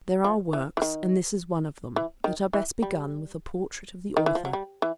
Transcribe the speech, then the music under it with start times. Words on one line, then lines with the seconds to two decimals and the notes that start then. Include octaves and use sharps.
There are works, and this is one of them, that are best begun with a portrait of the author.
0.24 F3
0.53 E3
0.77 E3
0.82 D#3
1.96 E3
2.24 D#3
2.53 E3
2.82 G3
4.17 D#3
4.26 E3
4.35 F3
4.45 F#3
4.53 G3
4.82 E3